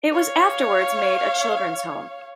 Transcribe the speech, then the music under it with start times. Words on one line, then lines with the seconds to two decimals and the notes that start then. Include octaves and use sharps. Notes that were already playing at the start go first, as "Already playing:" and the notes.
It was afterwards made a children's home.
0.12 C#5 F5